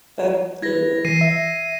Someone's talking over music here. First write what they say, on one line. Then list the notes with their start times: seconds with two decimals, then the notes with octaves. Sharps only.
That's cute.
0.62 E4 B4 G#6 A#6
1.05 E3 A#6 C7 D#7
1.21 E5